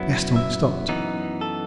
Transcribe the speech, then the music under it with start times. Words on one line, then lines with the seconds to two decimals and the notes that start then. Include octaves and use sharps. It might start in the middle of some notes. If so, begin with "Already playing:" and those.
Gaston stopped.
Already playing: F#2 F#3 B3 E4
0.36 E5
0.89 F#2 E3 B3 D#4
1.41 A4